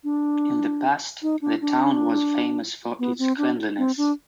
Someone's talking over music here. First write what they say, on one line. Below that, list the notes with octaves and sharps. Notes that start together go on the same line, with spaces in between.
In the past the town was famous for its cleanliness.
D4
D#4
D4
D4
B3
C4
D4
C4
D4